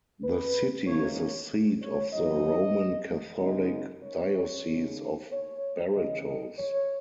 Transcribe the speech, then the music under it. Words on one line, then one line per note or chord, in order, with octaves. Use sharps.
The city is the seat of the Roman Catholic Diocese of Barretos.
B4
G#2 E3 A#3 C#4 C#5
C#5
C#5
G#2 F#3 B3 D#4 D#5
F#2 C#3 G#3 B3 D#4 D#5
C#5
D#2 C#3 G#3 D#4
C#5
D#2 C#3 E3 D#5
D#5
C#5